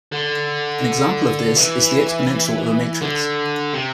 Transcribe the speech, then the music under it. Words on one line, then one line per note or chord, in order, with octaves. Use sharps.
An example of this is the exponential of a matrix.
D3
E3
D3
C3